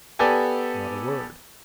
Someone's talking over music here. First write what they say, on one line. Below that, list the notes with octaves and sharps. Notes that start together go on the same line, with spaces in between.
"Not a word."
B3 G4 A4 D5 G#5